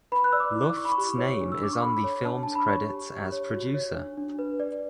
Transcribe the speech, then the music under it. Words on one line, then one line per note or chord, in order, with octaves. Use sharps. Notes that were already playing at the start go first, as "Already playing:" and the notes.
Luft's name is on the film's credits as producer.
B4 B5
F#6
D5 E6
D6
E4
D6
E4 C#6
B5
C#6
G4
C#5
D4
E6
D4 D6
C#6
A4 B5
C#5
D4 A5
D4 A5
B5
C#5 C#6
G4
G4
C#5
F#4
C#5
D4
D4
B4
D5